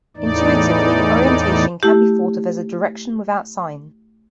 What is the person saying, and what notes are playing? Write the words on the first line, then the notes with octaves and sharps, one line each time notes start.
Intuitively, orientation can be thought of as a direction without sign.
E2 A2 E3 D#4 D5
A3 E4 G4